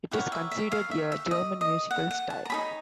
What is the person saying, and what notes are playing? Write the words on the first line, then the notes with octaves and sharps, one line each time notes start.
It is considered a German musical style.
E4 G4 A#4 C#5 F#5
E5
E5
F5
E5
E5
D#5
D#5
F#5
F#5
A5
A#5
D#4 G#4 C#5 B5